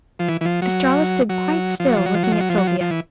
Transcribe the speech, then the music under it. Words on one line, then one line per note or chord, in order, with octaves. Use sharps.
Estralla stood quite still looking at Sylvia.
F3
E3
E3
F3
F#3
F#3
F3
F#3
F3
F#3
F3
F#3
F3
F#3
F3
F#3
F3
F3
E3